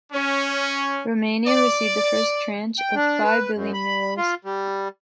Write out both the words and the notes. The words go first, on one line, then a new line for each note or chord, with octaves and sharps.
Romania received the first tranche of five billion euros.
C#4
D5
G5
D4
B4
F#2
B5
F4
G3